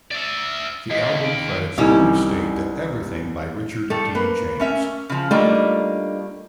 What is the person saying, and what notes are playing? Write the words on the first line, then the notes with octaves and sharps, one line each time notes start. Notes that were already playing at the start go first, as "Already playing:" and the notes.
The album credits only state that Everything by Richard D. James.
D5 E5
D#2 D#5 B6
D7
C2 G3 C#4 D#4 E4 G#5
G3 A3 A4
A#3 B4
A3 C#4 E5
C#3 F3
G3 A3 A#3 D4 D#4 F4